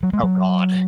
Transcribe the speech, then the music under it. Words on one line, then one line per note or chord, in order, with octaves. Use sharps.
Oh god.
F#3
G#3
F#3